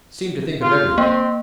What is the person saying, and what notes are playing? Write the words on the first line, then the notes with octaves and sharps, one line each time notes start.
Seemed to think of everything.
F4
A#3 C4